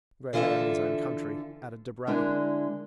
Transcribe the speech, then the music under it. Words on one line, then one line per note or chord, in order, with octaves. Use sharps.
"A great man in his own country," added Debray.
D3 E3 F4 G#4 A4 E5
D3 G#3 D4 E4 A#4